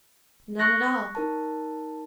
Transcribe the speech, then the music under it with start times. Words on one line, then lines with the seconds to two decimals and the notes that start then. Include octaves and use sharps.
"None at all."
0.59 C#6 F#6 A#6
1.15 D#4 A#4 A5